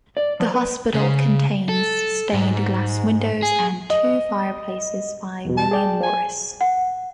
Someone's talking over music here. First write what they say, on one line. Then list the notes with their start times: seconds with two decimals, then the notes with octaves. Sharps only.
The hospital contains stained glass windows and two fireplaces by William Morris.
0.17 D5
0.40 F3
0.54 B4
0.94 C#3
1.69 A4
2.33 G#2
3.42 G#4
3.90 D#5
5.45 E2 B2
5.57 A5
5.71 G#4 D5 G5
6.03 G#5
6.61 F#5